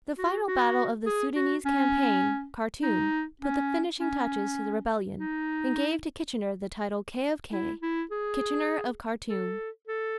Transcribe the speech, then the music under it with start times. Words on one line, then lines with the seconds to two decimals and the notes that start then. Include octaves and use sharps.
The final battle of the Soudanese campaign, Khartoum, put the finishing touches to the rebellion, and gave to Kitchener the title "K. of K."--Kitchener of Khartoum.
0.18 F#4
0.47 F#4
1.06 G#4
1.35 F#4
1.65 C#4
2.83 D#4
3.41 C#4
4.00 C#4
5.17 D#4
7.52 E4
7.82 E4
8.11 G#4
9.29 A4
9.87 A4